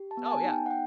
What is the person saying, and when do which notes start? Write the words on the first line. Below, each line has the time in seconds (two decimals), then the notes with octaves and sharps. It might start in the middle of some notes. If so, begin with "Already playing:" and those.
Oh, yeah.
Already playing: G4
0.11 A5
0.17 B3
0.26 A5
0.31 G#5
0.44 D#4
0.51 G5
0.66 F#5
0.70 B3 G5